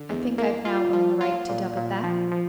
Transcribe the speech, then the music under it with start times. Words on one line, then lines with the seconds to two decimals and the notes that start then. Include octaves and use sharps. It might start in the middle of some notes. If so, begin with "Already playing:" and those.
I think I've now earned the right to dub it that.
Already playing: D3
0.10 E2
0.38 A#3
0.65 F4
0.93 F3
1.21 F4
1.49 A#2
1.77 A#2
2.04 F3
2.32 F3